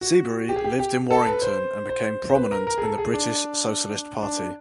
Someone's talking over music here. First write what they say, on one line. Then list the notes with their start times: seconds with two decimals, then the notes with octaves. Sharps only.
Seabury lived in Warrington and became prominent in the British Socialist Party.
0.01 F#4
0.49 G4
0.56 G#4
0.64 G4
0.79 G4
1.10 A4
1.26 B4
1.42 C5
1.89 C5
2.30 C5
2.35 B4
2.51 A#4
2.67 A#4
2.78 G#4
2.83 A4
2.98 G#4
3.14 D4
4.23 D4